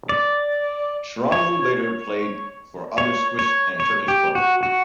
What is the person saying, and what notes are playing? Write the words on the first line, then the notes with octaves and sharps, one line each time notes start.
Shorunmu later played for other Swiss and Turkish clubs.
D5
C#5
C#5
C#5
C#5
G4
F#4
F#4